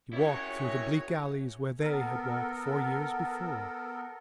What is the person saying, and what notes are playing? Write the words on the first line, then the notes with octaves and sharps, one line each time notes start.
He walked through the bleak alleys where they had walked four years before.
C#4 E4 F#4 G#4 A#4 C#5
B3 A4 A#4